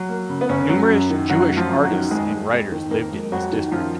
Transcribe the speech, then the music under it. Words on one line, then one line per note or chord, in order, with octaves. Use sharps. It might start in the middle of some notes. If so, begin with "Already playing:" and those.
Numerous Jewish artists and writers lived in this district.
Already playing: F#3
A#3
C#3
B3
F#2 C#3 C#4
F#3
F#2
D#3
F#2 F#3 F#4
F#3
F3 F4
F#2
F#3 F#4
D#3
F2 G#3 G#4
G#3
F2
D#3
F2 A#3 A#4
G#3
F2 F#3 F#4
D#3
F#2 F3 F4